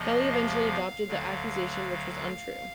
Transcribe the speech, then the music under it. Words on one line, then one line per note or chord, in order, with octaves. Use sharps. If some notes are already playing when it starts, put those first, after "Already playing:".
Kelly eventually adopted the accusation, which was untrue.
Already playing: E2 C3 F3 D#5
F5
D2 D3 F#3